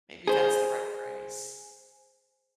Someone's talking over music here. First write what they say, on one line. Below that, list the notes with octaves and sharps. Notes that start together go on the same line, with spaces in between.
Maybe that's the right phrase.
G#4 C5